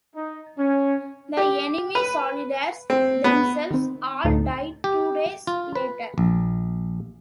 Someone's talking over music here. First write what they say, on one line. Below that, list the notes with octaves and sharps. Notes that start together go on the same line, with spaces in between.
The enemy soldiers themselves all die two days later.
D#4
C#4
G4
B4
C4
B3
D#3 C4
D2 A2 D#4 A4
G4
F4
B4
A#1